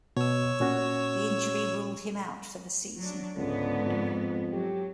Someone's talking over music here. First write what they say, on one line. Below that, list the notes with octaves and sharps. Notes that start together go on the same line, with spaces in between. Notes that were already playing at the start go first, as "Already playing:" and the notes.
The injury ruled him out for the season.
B2 C#5 E6
A#2 C#4 F#4
F#3 D4
C#2 G#2 D3 B3
F2
F#3 G4